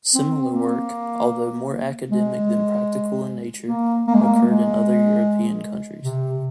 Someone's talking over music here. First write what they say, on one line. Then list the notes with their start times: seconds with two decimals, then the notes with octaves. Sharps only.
Similar work, although more academic than practical in nature, occurred in other European countries.
0.15 C4
0.54 A#3
2.11 G#3
3.67 A#3
4.07 A#3
4.14 G#3
4.22 A#3
4.46 G#3
6.04 C3